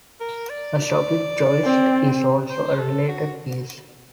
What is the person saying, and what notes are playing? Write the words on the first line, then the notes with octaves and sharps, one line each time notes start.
A soffit joist is also a related piece.
A#4
D5
C4
C5
A4
F#4